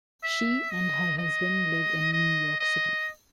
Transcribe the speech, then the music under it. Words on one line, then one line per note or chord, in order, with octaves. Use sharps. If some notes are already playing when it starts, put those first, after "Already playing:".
She and her husband live in New York City.
E5
D#5
D#5
D#5
D#5